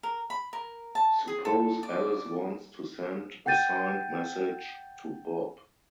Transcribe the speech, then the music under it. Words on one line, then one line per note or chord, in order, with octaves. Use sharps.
Suppose Alice wants to send a signed message to Bob.
A#4
B5
A#4
A5
G#4
A4
D5
F#5 G5 G6 A6 D#7